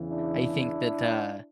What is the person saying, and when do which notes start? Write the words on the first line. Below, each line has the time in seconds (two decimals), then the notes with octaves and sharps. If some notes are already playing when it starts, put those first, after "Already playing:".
I think that, uh,
Already playing: E2 C#3 E3
0.10 D4 E4